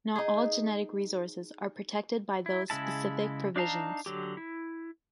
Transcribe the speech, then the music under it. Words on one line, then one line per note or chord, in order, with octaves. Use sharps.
Not all genetic resources are protected by those specific provisions.
D#4 G#4
E4
C#3 G#3 E4 A5
D4 D#4 F5 A5 A#5
D3 F#3 G4
E4